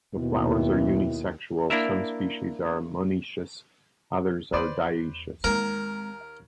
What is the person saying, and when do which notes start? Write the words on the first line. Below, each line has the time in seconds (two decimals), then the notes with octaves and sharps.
The flowers are unisexual, some species are monoecious, others dioecious.
0.16 D#2 B2 E4
1.70 A#3 D4 E4 A#4 E5
4.53 E2 B4 C5 D5
5.44 D#2 G#3 C4 A#4